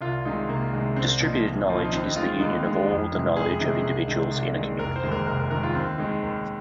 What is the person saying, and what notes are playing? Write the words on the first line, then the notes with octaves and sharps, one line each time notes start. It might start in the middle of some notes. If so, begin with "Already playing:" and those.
Distributed knowledge is the union of all the knowledge of individuals in a community.
C2 F4
C3 D#3 G#3 D#4
C2 A#3
C3 D#3 G#3
C2 C4
A#2 F3 D#4
C2
A#2 F3
D#4
D#2 C4
D#4
D#3 G#3 F4
D#2 D#4
D#3 G#3
F2
C3 D#3 G#3
F2 G#4
C3 D#3 G#3
C2
C3 D#3 G#3
C2
C3 D#3 G#3
F1 A#4
C5
D#2 D#3 G#3
A#4
F1 A#4
A#4
D#2 D#3 G#3 A#4
F4
D#2 C4
D#3 G#3
D#2